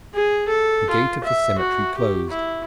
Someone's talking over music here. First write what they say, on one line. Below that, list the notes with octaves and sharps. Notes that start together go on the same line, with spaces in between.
The gate of the cemetery closed.
G#4
A4
F4
E5
F#4
G4
E4